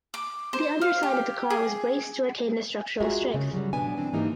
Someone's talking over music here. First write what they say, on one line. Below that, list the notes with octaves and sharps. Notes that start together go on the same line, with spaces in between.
The underside of the car was braced to retain the structural strength.
D6
C5
F5
G4
G#4
G#3 F4 F#4 G#4 A#4 E5
C#3 A3
F#3 G3
G#2 B2 B3 D4 G#5
E3 C4 D4
G#2 E3 A#3 D#4 G4 G#5